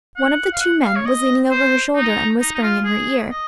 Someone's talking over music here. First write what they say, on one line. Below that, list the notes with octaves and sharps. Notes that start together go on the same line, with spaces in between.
One of the two men was leaning over her shoulder and whispering in her ear.
F#5
F5
F#5
F5
C#5
D#5
C5
D#4
D#4
D#4
F4
G#4
D#5